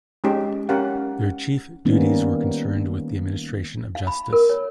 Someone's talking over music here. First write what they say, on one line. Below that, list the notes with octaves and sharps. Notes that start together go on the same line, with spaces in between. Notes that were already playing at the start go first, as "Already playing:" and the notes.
Their chief duties were concerned with the administration of justice.
G#3 C#4 D#4 G4
C#4 G4 A#4 F5 F#5
D#3 G3 A#3 B3 C#4 D#4
F5
B5
A#4
C#5